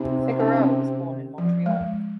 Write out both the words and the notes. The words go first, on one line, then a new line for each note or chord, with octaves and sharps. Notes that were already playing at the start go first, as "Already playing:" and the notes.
Figueroa was born in Montreal.
Already playing: C3 C4 D#4
D#4
C#4
C4
C#4
F3
G#3